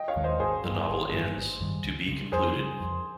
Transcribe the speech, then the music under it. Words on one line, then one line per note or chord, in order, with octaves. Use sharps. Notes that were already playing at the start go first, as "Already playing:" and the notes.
The novel ends "To Be Concluded".
Already playing: D#5 G5
C#5 F5
D#2 D#3 G#3
C5 D#5
G#1 G#4 C5
G2 G3
G#1
G2 D#3
G#1
G2 D#3 G3
C#2
C#3 G3
F2 G#4 C5
C#3 G3
F2